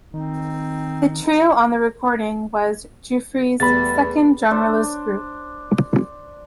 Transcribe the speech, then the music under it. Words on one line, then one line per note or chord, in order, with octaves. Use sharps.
The trio on the recording was Giuffre's second drummerless group.
D#3 C4 D#4
E2 G3 A3 B4 B5 A6
D4 C5